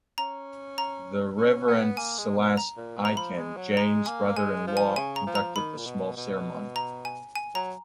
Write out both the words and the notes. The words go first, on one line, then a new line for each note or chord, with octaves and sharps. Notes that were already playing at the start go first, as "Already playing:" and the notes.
The Reverend Silas Aiken, Jane's brother-in-law, conducted the small ceremony.
C#4 A#5
A#5
C#4
A#3
B3
A#3 G#5
G#3
B2
A#5
A#2
B2
A#5
F3 B5
G#3
F#3
G#3 A#5
A#3 G#5
G#3 G#5
F3
G#5
C#3 G#5
A#5
F3
A#5
D#3 B5
A#2
B2
B2
A#5
G#5
G#5
F#3 A#5